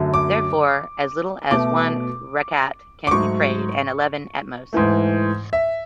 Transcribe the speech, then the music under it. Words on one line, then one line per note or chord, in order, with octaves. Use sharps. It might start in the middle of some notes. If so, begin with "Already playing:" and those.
Therefore, as little as one rakat can be prayed, and eleven at most.
Already playing: F#2 D3 F#3 A3
D6
B2 A3 D6
D6
G#2 F#3 A3 C#6
G#2 E3 A3
E5